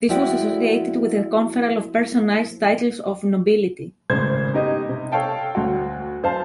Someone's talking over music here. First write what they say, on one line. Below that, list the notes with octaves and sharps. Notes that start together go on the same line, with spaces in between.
This was associated with the conferral of personalized titles of nobility.
F3 G#3 E4 F#4 D5 G5
G#1 A2 C#3 C5 G#6
B3 D#4 G4 D#5
C3
A4 C#5 F5 G5 A5
D2 F#4
F#2 C5 F5 A5